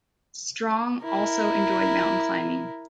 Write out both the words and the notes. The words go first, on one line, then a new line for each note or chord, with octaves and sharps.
Strong also enjoyed mountain climbing.
E4 A#4